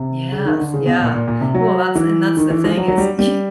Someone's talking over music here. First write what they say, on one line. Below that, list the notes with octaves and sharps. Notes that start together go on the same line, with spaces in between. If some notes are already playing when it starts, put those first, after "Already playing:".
Yes, yeah, well, that's and that's the thing is y
Already playing: C3
C#3
D#3
D3
C#3
B2
A#2
A#2
A#2
C3
F#3
E3
D#3
E3
F3
F#3
F#3
G3
G3